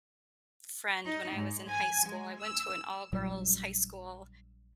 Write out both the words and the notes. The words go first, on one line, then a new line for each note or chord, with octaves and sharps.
friend when I was in high school. I went to an all-girls high school,
D#4
G#2
G#5
G#3
E6
A#1 A#2 F#3 G3